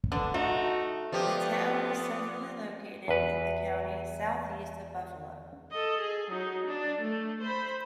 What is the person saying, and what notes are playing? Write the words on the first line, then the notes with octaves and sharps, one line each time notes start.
The town is centrally located in the county, southeast of Buffalo.
D3 B3 D4
A3 D#4 F#4
F3 B3 G4 D5
E2 B4
A4 D#5
G#4
F#3 D#4
D4
A3
C5 B5